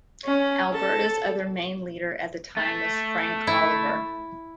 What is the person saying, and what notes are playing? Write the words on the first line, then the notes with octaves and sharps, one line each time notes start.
Alberta's other main leader at the time was Frank Oliver.
C#4
A4
A3
E4